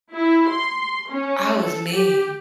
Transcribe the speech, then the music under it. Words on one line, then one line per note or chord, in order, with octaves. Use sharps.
"I was mean."
E4
C6
C#4
A4
G4